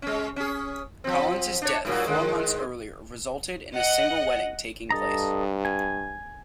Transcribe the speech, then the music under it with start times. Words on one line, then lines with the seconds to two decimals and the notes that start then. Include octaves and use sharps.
Collins' death four months earlier resulted in a single wedding taking place.
0.02 G#3 C#4
0.36 C#4 G#4
1.04 F3 C4
1.62 D4 C#5
1.85 G2 A#2 F#3
2.07 G#2 D#3 G#3
3.76 D#5 F#5
4.90 G2 A4 D#5 A#5
5.65 G#5